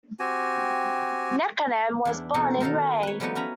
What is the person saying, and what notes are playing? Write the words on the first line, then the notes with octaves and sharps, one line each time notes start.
Nekounam was born in Rey.
C4 F#4 G4 G#5
E2 D4 E4
B2 E3 C4 D#4 F#4 A4
D#3 D#4 A4 A#4 F5
B4 C#5
F3 G3 A3 B3 D#4 F#4
B3 C#4 A#5 B5